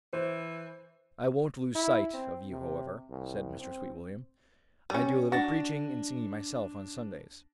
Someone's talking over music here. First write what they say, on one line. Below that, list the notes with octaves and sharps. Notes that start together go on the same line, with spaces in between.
"I won't lose sight of you, however," said Mr. Sweetwilliam, "I do a little preaching and singing myself on Sundays."
E3 C5
E4
C4
C3
C2
C4
G3 C#4
D4 F#4 A6 A#6